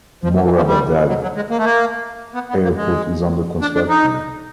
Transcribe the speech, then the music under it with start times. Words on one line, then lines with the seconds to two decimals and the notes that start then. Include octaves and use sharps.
Moradabad Airport is under construction.
0.23 F3
0.35 E3
0.45 E3
0.56 F3
0.67 G3
1.09 F#3
1.22 F#3
1.36 G#3
1.50 A#3
1.58 A3
1.64 A#3
2.34 B3
2.49 B3
2.63 A#3
2.77 G#3
3.62 D4
3.75 D4
3.89 D#4